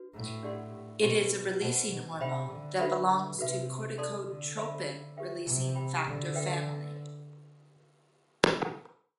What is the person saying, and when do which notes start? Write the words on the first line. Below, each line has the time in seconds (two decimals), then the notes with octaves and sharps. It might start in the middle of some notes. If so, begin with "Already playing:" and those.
It is a releasing hormone that belongs to corticotropin-releasing factor family.
Already playing: D4 F#4 B4
0.13 A2
0.43 D4 G4 D5 F#5 C6
1.02 B2 E4 G4 C5 G5 C6
1.61 B2 F#4 C5 F#5 A5
1.91 B2
2.21 C3 C5 E5 G5 B5
2.50 D3
2.79 D4 F#4 B4 E5 B5
3.09 D3
3.39 C3 F#4 B4 E5
3.98 A4 D5 A5 C6
4.28 D3
4.57 C5 E5 B5
5.17 G4 B4 E5 G5
5.46 C3
5.75 C5 G5 B5
6.05 D3
6.35 B4 E5 G5